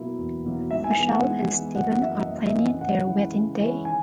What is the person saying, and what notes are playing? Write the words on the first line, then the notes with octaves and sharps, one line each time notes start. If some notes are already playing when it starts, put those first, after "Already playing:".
Michelle and Stephen are planning their wedding day.
Already playing: B2 F#3 A#3 E4
E2
B2 F#3 A#3 E4
G#2 E5
G#5
E3 G#3 B3
F#5
G#2
E3 G#3 B3
F#2 F#5
F#5
E3 A#3 C#4 E5
D#5
F#2 E5
D#5
E5
E3 A#3 C#4
C#3 F#5
E3 G#3 C#4 E4
C#3
E3 G#3 C#4 E4
D#3 G#5